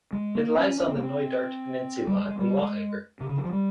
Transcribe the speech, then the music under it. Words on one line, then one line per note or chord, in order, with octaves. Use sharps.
It lies on the Knoydart peninsula in Lochaber.
G#3
A#3
C#4
C#4
C4
A#3
C4
G3
G#3
G#3
G3
G#3
C3
C#3
E3
F3
G3